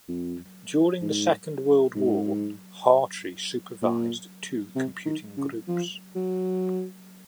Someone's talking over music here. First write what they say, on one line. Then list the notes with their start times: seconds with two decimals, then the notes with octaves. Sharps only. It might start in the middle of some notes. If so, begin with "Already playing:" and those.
During the Second World War Hartree supervised two computing groups.
0.08 F2
1.02 G#2
1.95 G#2
3.82 A#2
4.76 C3
5.06 D#3
5.37 C#3
5.68 F3
6.15 F#3